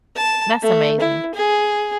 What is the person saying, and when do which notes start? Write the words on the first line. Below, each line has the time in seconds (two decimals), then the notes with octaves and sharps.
That's amazing.
0.16 A5
0.63 A3
1.00 E4
1.34 G#4